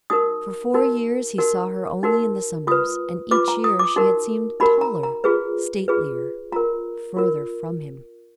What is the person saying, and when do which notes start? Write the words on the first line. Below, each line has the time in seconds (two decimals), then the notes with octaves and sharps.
For four years he saw her only in the summers, and each year she had seemed taller, statelier, further from him.
0.10 D#4 F#4 A#4 D#6
0.74 D#4 F#4 A#4
1.38 D#4 F#4 A#4
2.03 D#4 F#4 A#4
2.67 F4 B4 D#6
3.31 F4 B4 D6
3.48 A#5
3.64 D#6
3.79 D6
3.96 D#4 F#4 A#4
4.60 D#4 F#4 A#4 B5
4.81 A#5
5.03 A#5
5.24 F4 G#4 B4
5.88 F4 G#4 B4
6.52 F4 A#4 A#5
7.17 F4 A#4